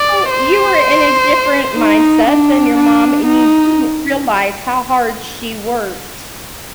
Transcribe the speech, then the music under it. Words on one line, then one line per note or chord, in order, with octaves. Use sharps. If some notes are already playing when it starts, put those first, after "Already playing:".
know, you were in a different mindset than your mom, and you didn't realize how hard she worked
Already playing: D5
C5
D#4
D4
D4
D#4